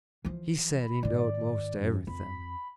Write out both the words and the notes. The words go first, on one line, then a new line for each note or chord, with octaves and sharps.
He said he knowed most everything.
E3 F3
B5
G#2 D#3 D5
F#2
F2 B5